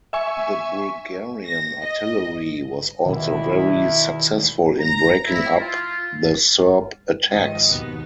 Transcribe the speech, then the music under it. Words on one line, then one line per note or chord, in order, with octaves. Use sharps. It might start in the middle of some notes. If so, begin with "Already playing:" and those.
The Bulgarian artillery was also very successful in breaking up the Serb attacks.
E5 G#5 C#6
A#6
D#5
E2 B2 D#3 E4
A#5
E4
F4
G#2 D#3 F3 D#5
D#2 B2 B3 D#4